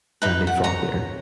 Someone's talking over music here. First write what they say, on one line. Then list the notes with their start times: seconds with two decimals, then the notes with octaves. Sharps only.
and they fought there
0.22 D#4 B4
0.47 F#5
0.64 C#5 A#5